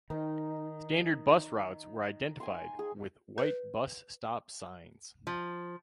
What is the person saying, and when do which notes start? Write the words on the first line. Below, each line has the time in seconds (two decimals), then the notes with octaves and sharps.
Standard bus routes were identified with white bus stop signs.
0.10 D#3 D#4
2.40 G#5 C6
2.79 G#4
3.38 B4
5.27 F3